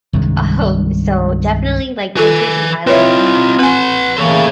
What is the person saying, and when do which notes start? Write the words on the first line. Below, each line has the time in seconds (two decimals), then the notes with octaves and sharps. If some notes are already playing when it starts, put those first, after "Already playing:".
um, so definitely, like, Temptation Island.
0.13 C2 G2 D#3 G#3
2.17 F4 A4 B4 G#5
2.87 C4 E4 F4 B4 C#5 D#5 E5
3.59 C4 B4 F#5 G#5 C6
4.18 C#3 E3 A3 A#3 A4 C#5